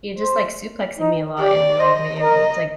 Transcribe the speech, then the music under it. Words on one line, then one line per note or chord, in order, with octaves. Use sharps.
he's just, like, suplexing me a lot in, like, video games, like
C5
D#4
G4 D5
C5 D#5
A#4 D#5